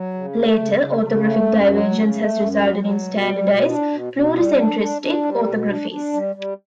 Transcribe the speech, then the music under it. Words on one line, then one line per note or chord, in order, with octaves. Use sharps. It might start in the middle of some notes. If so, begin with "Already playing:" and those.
Later orthographic divergence has resulted in standardised pluricentristic orthographies.
Already playing: F#3
C#3
A3
C#3
C#3
C#3
A3
F#2
F#3
C#3
A3
F#2
F#3
F#3
B2
G3
B2
D4
B2
B2
G3
D4
D4
D4
G3
B2
D4
D4
G3
G3